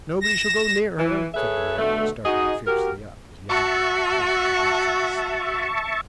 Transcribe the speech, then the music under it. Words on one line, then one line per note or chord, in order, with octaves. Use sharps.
'Nobody shall go near her,' said the man, starting fiercely up, as the undertaker approached the recess.
A#6 E7
E3
G#4 A4 B4 C#5 E5
B2 D3 A3
D#4 F#4 G#4 D#5
F#4 G4 A#4
F#4 E5 A5 C#6